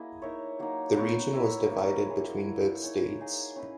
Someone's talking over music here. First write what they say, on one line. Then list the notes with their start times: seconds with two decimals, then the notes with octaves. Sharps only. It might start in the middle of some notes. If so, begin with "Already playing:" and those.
The region was divided between both states.
Already playing: A#3 E4 F#4 G#4 D#5
0.22 D#4 A#4 C#5 E5
0.59 F#3 A#3 D#4
0.96 B3 D#4 F#4 C#5
1.33 E4 A#4 C#5 E5
1.70 A#3 E4 A#4
2.07 E4 G#4 C#5
2.44 E4 A#4 E5
2.82 D#4 G#4 C#5
3.19 A#3 D#4 G#4 D#5
3.56 C#4 E4 B4 D#5